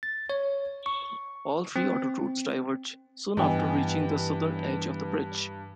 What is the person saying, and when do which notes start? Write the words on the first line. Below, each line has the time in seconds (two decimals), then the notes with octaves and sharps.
All three autoroutes diverge soon after reaching the southern edge of the bridge.
0.03 A6
0.30 C#5
0.86 C#6
1.76 C4
3.37 G2 E3 B3 D#5 G5 G#5